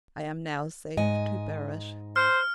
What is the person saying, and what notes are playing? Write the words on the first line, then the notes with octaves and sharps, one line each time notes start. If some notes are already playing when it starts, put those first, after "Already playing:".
I am now safe to perish.
G#2 D#5 G#5
C5 F6